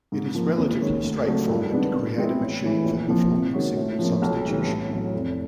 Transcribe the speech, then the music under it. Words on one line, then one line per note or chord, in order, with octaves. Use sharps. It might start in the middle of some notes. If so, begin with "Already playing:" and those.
It is relatively straightforward to create a machine for performing simple substitution.
G#2
F3 A#3
D#2
D#3 G#3 C#4
D2
C#3 F#3 A3
G2
D#3 G#3 B3 D4
B2
G#3 C4 E4
A1
A2 E3
A#1
A#2 F3
C3
D#3 G#3 C#4 F#4
A2
F3 A#3 C#4
B1
A2 E3 G3
A1
A2 F#3
F1